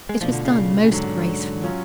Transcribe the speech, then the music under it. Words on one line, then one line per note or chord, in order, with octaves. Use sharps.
It was done most gracefully.
G#3
B2 F3 A3 D4 F4
D3
C#3
C#3
G#2 D3 F#3 C#4
F#3 C#4 F4